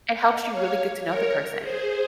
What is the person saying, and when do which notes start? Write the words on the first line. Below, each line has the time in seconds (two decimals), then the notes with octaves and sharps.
it helps you really get to know the person.
0.19 D#5 F#5
0.47 C#5 F5
1.03 A#4 C#5
1.59 G#4 C5